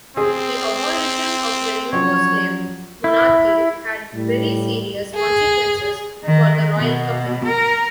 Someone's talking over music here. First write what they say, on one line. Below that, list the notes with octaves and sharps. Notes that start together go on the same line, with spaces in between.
The abolition of the Yugoslav monarchy had very serious consequences for the royal couple.
C4 G#4
F3 F#3 C#4 C#5
E4
A2 G3
G#4
D#3
B2
A#4